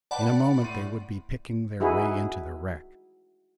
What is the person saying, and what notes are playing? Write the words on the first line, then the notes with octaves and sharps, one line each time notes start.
In a moment they would be picking their way into the wreck.
B4 D5 F#5 G5 A5 B5
A2 C6 D#7
D#4 E4 F#4 G#4 B4